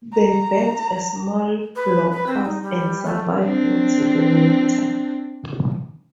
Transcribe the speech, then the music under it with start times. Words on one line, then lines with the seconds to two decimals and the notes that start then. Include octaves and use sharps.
They built a small blockhouse and survived into the winter.
0.12 A#5
1.76 B4
2.12 B4
2.27 C4
2.44 D#4
2.62 G3
3.05 A3
3.43 C4 D4